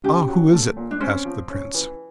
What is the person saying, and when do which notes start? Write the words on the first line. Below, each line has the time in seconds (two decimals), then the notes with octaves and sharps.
"Ah! who is it?" asked the Prince.
0.04 C#3 G4
0.28 F#3
0.53 A3
0.77 A#2
0.91 D4
1.00 C4 C#4
1.25 F3
1.50 C#4
1.74 E3